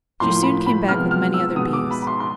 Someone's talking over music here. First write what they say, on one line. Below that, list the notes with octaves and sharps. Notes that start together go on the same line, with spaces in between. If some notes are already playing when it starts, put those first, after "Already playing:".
She soon came back with many other Bees.
A2 F3 A#3 C6
B5
B5
C3 F3 G#3 B3 F6
F6
E6
B2 G#3 B3 D#6
D6
B5
B5
C6
C6